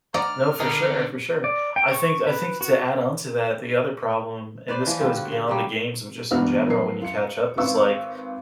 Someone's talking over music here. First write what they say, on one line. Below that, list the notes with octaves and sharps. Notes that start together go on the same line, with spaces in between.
No, for sure, for sure. I think I think to add on to that, the other problem, and this goes beyond the games, but just in general, when you catch up is like,
D5 D#5 F#5 A#5 F6
D3 B3 D4 A#4 D#5
D5
G5
C#6
B4
F#4
B4 C5 D5
E3 F3
D3 G3 F4
F#4
C#3
C#3 F#3 G3
E1 E2 B3 D4 F#4 F6
F3 F#3 A#4 B4 C7
F4 C#7
G#1 F4 B4 C#6 E6